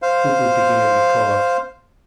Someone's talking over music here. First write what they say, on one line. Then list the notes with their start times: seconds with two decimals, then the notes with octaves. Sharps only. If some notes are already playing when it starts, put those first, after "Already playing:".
Cooper began to cough.
0.02 C5 F5